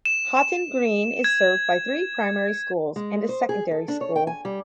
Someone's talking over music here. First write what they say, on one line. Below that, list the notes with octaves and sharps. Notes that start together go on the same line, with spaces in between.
Haughton Green is served by three primary schools and a secondary school.
E7
E7
G#6
G#3
C5
G#4
A4
D4
C#5
G5
G#5
G3